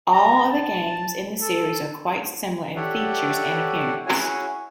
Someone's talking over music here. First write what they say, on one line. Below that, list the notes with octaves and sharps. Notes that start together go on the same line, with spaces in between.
All of the games in the series are quite similar in features and appearance.
A#5
A5
A4
G4 A4 C#5 D5 E5 F#5
C#4 E4 F#4 G#4 C#5 G#5